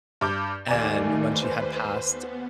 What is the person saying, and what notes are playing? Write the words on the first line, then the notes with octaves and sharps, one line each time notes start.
and when she had passed,
G2 D6 G6
D#2 D#3 A3 D#4 D5 G#5
B4 C5
B3